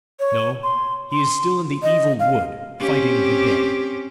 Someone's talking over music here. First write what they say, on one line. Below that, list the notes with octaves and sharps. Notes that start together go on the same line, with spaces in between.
"No; he is still in the Evil Wood, fighting the dead."
C#5
C6
C6
D#5
F5
C4 C#4 G4